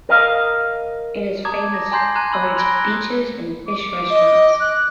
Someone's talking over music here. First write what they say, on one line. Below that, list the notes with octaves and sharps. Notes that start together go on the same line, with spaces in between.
It is famous for its beaches and fish restaurants.
A#4 D#5 F5
A5 A#5 D6 D#6 G#6
A#6
G#5 A#5 C6 G6 G#6 C7
G#5 A#5 F#6 G#6 D#7
B5 C6 E6
B5 F#6 G#6 A#6 D7 G7
D6
D#5
F#6